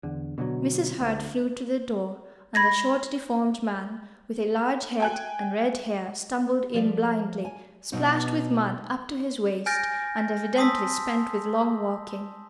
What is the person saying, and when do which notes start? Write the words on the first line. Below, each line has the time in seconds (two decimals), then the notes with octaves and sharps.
Mrs. Hurd flew to the door, and a short, deformed man, with a large head and red hair, stumbled in blindly, splashed with mud up to his waist, and evidently spent with long walking.
0.03 E2 D3
0.38 B2 D3 F3 F#3
1.00 D2
2.55 B5 G#6 A#6
5.00 G5 G#5 F#6
6.74 F3 G3 D5 F5
7.45 G#5
7.92 B2 F#3 D#4 C#5
9.66 G#5 F6 G6 A6 A#6 D7
10.56 A5 C6 D#6 E6 B6